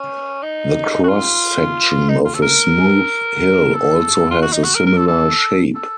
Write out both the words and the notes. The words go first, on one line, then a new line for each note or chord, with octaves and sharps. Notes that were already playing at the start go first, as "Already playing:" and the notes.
The cross-section of a smooth hill also has a similar shape.
Already playing: C#4
D#4
F#4
F4
D#4
F4
A4
A#4
A4
F4
F#4
D#4
F#4
A#4
A#4
A4
A4
A4